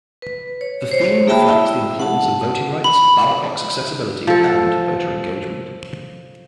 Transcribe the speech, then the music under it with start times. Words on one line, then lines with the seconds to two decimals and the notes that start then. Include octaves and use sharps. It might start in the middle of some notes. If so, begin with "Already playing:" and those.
The theme reflects the importance of voting rights, ballot box accessibility and voter engagement.
0.22 B4
0.61 C#5
0.91 C5 C#5
1.27 A#3 G#4 E5 G5 A5 B5
1.50 E4
2.00 F#5 A5
2.84 B5
4.27 F3 A4